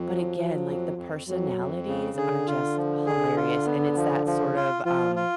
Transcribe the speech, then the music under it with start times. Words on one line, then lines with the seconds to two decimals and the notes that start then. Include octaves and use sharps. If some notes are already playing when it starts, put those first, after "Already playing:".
but again, like, the personalities are just hilarious, and it's that, sort of, um
Already playing: F2 F3
0.08 F#3
0.38 F#3
0.67 F2
0.97 F2
1.27 F2 F#3
1.57 F2
1.87 C#3
2.17 D3 G#4
2.47 F4
2.77 F3
3.06 G#4
3.36 F4
3.66 B3
3.96 F3
4.26 F3
4.56 F4
4.86 F3 F4
5.16 F4